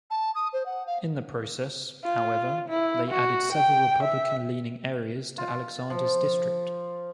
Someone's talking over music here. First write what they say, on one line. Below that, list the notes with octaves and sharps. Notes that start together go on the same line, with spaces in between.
In the process, however, they added several Republican-leaning areas to Alexander's district.
A5
D#6
C5
F#5
F5
F4
E4
F#4
G5
E5
F4
F3